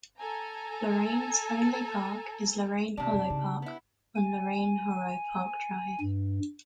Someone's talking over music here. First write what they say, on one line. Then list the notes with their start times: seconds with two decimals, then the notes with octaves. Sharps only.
Lorane's only park is Lorane Hollow Park on Lorane Hollow Park Drive.
0.18 A4 G#5 A#5
2.97 C3 D#3 D4
3.12 F2 B2
3.30 C#3 D#4
3.62 B3 E4
4.15 G#5
6.01 G2